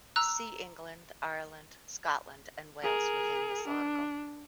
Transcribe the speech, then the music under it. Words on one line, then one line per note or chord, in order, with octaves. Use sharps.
See England, Ireland, Scotland and Wales within this article.
A#5 E6 F#6
G#4 A#4
D4